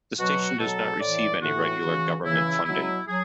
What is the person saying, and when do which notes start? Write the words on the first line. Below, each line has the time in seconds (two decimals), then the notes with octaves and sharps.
The station does not receive any regular Government funding.
0.19 B2 F#3 F#4
0.59 B2 F#3 A4
1.00 A2 E3 D5
1.41 A2 E3 F#4
1.84 C#3 E3
2.25 C#3 E3 E4
2.65 B2 F#3 E4
3.07 F#3 G#4